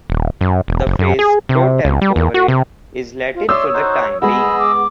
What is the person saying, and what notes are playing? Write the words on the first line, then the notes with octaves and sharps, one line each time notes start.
The phrase "pro tempore" is Latin "for the time being".
D#1
F#2
E1
F#1
F#2
G#4
C3
C#2
G3
E2
F#4
C3
F4
C#5 D5 E5 C6 D#6 E6
D#4 F#4 C5
G#3 B3 G#4 D#5 B5 E6
D6